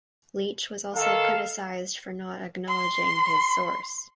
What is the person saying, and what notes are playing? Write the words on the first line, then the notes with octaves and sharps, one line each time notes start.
Leach was also criticised for not acknowledging his source.
D#3 A4 F5
C6